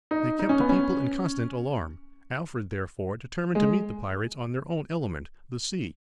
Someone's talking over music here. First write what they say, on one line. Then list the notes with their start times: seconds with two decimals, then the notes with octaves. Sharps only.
They kept the people in constant alarm. Alfred therefore determined to meet the pirates on their own element, the sea.
0.11 D#4
0.39 D#4
0.49 C#4
0.60 B3
0.69 C#4
3.55 G#3